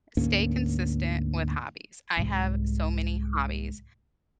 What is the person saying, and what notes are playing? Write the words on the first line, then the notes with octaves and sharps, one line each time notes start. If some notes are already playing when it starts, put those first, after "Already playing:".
stay consistent with hobbies, I have so many hobbies.
D2 G#2 A#3 C#4
C2 G#2